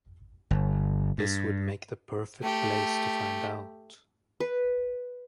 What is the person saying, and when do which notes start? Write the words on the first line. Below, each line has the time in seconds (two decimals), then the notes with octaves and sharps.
This would make the perfect place to find out.
0.51 G1
1.18 G2
2.43 A3 G4
4.40 B4